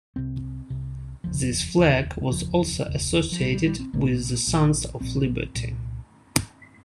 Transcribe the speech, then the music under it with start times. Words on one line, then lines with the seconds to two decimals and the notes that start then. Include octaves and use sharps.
This flag was also associated with the Sons of Liberty.
0.16 C2 C3 C4
0.70 C2 C3
1.24 F1 D#2 C#3 F3
1.78 F1 D#2 C#3
2.31 F1 D#2 C#3 F3
2.86 F1 D#2 C#3
3.32 F3
3.39 A#1 G3
3.43 A#2
3.52 G3
3.66 G3
3.79 C4
3.93 A#1 A#2 A#3
4.47 A#1 A#2
5.01 A#1 A#2 C4
5.55 C2 A#2